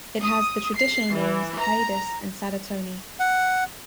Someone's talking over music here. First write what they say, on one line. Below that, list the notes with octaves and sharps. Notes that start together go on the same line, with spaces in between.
It has the traditional names Haedus and Sadatoni.
D#6
C7
E3
A#5
F#5